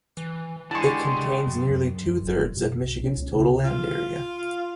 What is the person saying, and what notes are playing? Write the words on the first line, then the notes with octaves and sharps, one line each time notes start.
It contains nearly two-thirds of Michigan's total land area.
E3
D3 G#3 E4 A5 C#6
G4 G5 C6
C#3 A4 G5
F#2
F#2
F#2
F1
B2
B1
C#4
C#2
C#3
F4